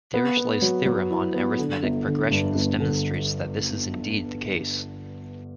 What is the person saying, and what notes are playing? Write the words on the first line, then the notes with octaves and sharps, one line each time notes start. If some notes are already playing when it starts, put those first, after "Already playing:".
Dirichlet's theorem on arithmetic progressions demonstrates that this is indeed the case.
B3
B3
F#3
F#3
E4
B3
D3
G1
D3
G2
G1
D3